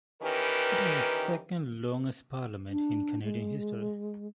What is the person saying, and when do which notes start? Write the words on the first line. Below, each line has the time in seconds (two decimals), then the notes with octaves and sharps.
It was the second longest parliament in Canadian history.
0.22 D#3 E3 C#4 G4 A#4 B4
2.70 D4
3.22 G#3